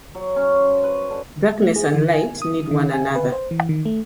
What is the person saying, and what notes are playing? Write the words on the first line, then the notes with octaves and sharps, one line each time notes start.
Darkness and light need one another.
F#3
C#4
C5
B4
D3
A3
G#4
E3
G#5
D#6
D#3
G#5
B4
C5
E3
D#3
A3